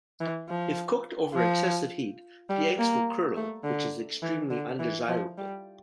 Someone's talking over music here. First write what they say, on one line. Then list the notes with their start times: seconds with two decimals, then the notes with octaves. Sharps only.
If cooked over excessive heat, the eggs will curdle, which is extremely undesirable.
0.20 E3
0.49 F3
1.34 F3
2.50 G3
2.79 A#3
3.37 A3
3.64 D3
4.23 E3
4.50 D3
4.79 E3
5.09 F3
5.38 G3